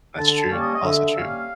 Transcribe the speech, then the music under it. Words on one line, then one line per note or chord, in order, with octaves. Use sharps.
That's true, also true.
D3 A5
A5
G3 A#3 C#4
D#5
D#5
D3 E5
G3 A#3 C#4 F5